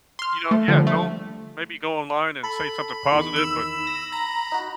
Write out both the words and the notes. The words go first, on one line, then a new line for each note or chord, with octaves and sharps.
You know, yeah, don't maybe go online, and say something positive, but
C6 F6
A3
D3 F3 G3
A3
A4 B5
E2 D#3
E6
A#6
A#5
D#4 F#4